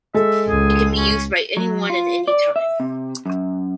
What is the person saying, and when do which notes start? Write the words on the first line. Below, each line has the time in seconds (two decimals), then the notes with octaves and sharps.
It can be used by anyone in anytime.
0.14 G#3 A4 E5
0.49 C#2 G#4
0.97 C#4
1.57 F#3
1.90 F4
2.28 D5
2.56 E5
2.80 C3
3.26 F#2